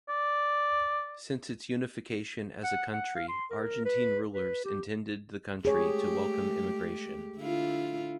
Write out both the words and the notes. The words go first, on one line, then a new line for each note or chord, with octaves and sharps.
Since its unification as a country, Argentine rulers intended the country to welcome immigration.
D5
F#5
F#5
F5
C6
A#4
B4
B4
G4
G#3 A3 G4 G#4 C#5
D3 E4 F4